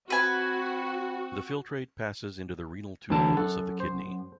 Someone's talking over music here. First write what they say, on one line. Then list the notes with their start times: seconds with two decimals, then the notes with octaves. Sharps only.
The filtrate passes into the renal tubules of the kidney.
0.10 C4 F#4 B4 G#5
3.10 D2 E3 F#3 D4 A5
3.37 F#2 A4 F#5
3.80 C5